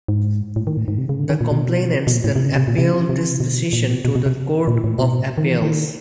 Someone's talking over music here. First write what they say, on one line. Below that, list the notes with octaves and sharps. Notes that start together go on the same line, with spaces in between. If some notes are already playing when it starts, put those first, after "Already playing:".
The complainants then appealed this decision to the Court of Appeals.
G#2
A2
D#3
A2
G#2
C3
C#3
D3
D#3
A#2
B2
B2
A#2
A2
C3
C#3
C3
A#2
C3
C#3
C3
C#3
C3
C#3
C3
B2
A#2
B2
B2
C3
A#2
A2
B2
D#3
E3
D#3